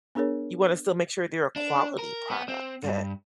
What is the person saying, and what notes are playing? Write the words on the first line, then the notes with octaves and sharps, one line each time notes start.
you want to still make sure they're a quality product that
B3 D4 G#4 A#4 C#5
D4
A#4
B3
C4
G2